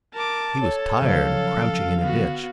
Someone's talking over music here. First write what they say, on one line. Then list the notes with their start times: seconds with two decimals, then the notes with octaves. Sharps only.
He was tired of crouching in a ditch.
0.14 A#4 A5 D6
0.61 A4 C#5
1.02 C#3 F3 F#3 F5
2.01 D3 B3 F#4